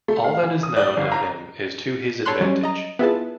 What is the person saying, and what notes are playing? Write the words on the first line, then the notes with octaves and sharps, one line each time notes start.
All that is known of him is to his advantage.
A3
F5
E3
D#6
D5
G1
A#5
A4 C#5 B5 C6 F#6
F#3 G3 C#4
D#5 A#5
B3 E4 F4 G#4 B4 A5